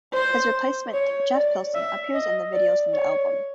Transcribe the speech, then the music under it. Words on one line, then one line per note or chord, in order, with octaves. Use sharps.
His replacement, Jeff Pilson, appears in the videos from the album.
C5
C#5
D5
E5
D#5
D5
C#5